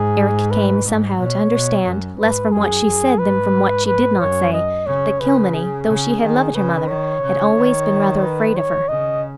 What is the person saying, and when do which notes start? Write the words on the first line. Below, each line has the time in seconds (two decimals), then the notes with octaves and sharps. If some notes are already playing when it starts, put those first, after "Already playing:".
Eric came somehow to understand, less from what she said than from what she did not say, that Kilmeny, though she had loved her mother, had always been rather afraid of her.
Already playing: G#2 G#4
0.51 B4
0.85 G#2
1.18 B2 C#5
1.52 B2
1.86 F#2
2.18 G#2 B4
2.52 F#2 G#4
2.86 F#2
3.19 G#2 B4
3.86 B4
4.19 F#2 C#5
4.53 D#5
4.86 C#3 C#5
5.20 C#3 B4
5.54 G#4
5.88 C#3
6.21 D#3
6.54 C#3 B4
6.88 D#3 C#5
7.22 C#3
7.55 D#3
8.23 B4
8.56 C#5
8.88 C#3 D#5